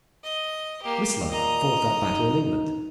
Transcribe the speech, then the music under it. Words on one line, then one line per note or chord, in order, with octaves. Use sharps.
Whistler fought that battle in England.
D#5
A#3 G4
A#2 D#5 A#5
D#4